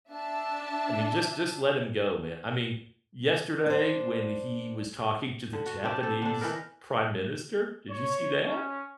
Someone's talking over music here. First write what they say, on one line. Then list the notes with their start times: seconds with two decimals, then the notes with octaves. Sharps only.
I mean, just just let him go, man. I mean, yesterday when he was talking to the Japanese Prime Minister, did you see that?
0.11 D4 E5 A5
3.66 D4 C5
5.53 D3
5.66 F#4
5.84 C4 D4 G4
6.03 A4
6.22 D3 D4
6.41 E3 B3 D#4 A#4
7.90 C#5
8.44 C#4